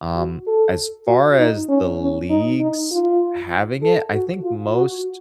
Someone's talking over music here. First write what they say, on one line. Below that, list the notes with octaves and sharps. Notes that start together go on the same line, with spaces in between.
Um, as far as the leagues having it, I think most
F#4
A4
F#4
D#4
C#4
C#4
D#4
D#4
F4
A4
F#4
F4
F#4